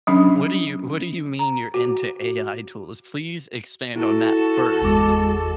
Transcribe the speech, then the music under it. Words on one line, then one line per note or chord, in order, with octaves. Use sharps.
What do you what do you mean you’re into AI tools? Please expand on that first.
F#3 C#4 D4
A#5
F#4
F#4
E4 F#4 A4
G1 E2 G#3 A5 D6